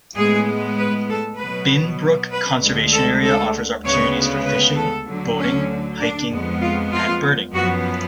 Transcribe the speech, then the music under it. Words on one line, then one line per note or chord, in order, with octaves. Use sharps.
Binbrook Conservation Area offers opportunities for fishing, boating, hiking and birding.
A2 G#3 B3 G#4
B4
A4
B2 F#3 B3 B4
B4
D2 D3 G#3
A4
A4
D2 C#3 G#3 B3 C#5
B4
A4
D2 D3 F#3
C#4
D4
F2 F3 G#3 B3
F4
F4
F#2 F3 B3 F#4